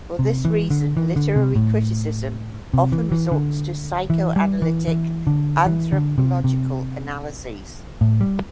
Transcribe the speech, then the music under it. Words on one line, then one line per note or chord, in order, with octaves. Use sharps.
For this reason literary criticism often resorts to psychoanalytic, anthropological analyses.
C3
E3
D3
E3
D3
C3
A2
C3
E3
E3
D3
E3
G3
E3
E3
D3
E3
D3
C3
C3
A2
G3